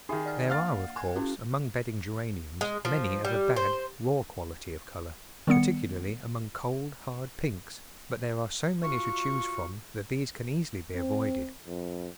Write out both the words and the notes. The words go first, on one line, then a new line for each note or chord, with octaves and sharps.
There are, of course, among bedding Geraniums many of a bad, raw quality of colour, particularly among cold, hard pinks, but there are so many to choose from that these can easily be avoided.
D#3 D#4 G#4 E5
D5 F6
A#3 F5 F#5 F6 A6
G#5 F#6 G#6
C#4 E4 F#4
G#3
F3
G3
C5
D#3 G3 B3 C#7
F4 F#4 C#6
C4
F2